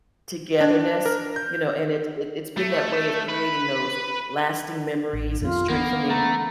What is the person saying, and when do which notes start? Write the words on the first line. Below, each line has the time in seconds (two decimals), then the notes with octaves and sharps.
togetherness, you know, and it it it's been that way of creating those lasting memories and strengthening,
0.61 D4
1.06 A#4
1.36 G6
2.57 A3
3.29 B4
5.13 A1
5.41 F2 F3 B3 F4
5.70 E3 A#3 B3
6.10 A3 A#5